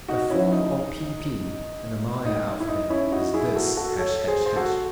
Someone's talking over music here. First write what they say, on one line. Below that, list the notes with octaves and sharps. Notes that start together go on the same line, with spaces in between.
The form of pp in the Maya alphabet is this, ### .
D#4 F#4
C#4 E4
D#4
D#4
E4
D#4
C#4 E4
D#4 F#4
E4 G#4
F#4 A4
F#4 A4
A4 C#5
G#4 C5
C5
F#4 A4